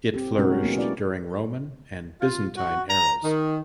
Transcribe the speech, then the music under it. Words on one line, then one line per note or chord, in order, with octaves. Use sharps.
It flourished during Roman and Byzantine eras.
C4 G4
B2 G#3 C#4 D#4 F#4 A#4
F#3 A#3 B3 G#4
A#3 C#4 E4 F#4 D5
F4
F#4
A#5
D#3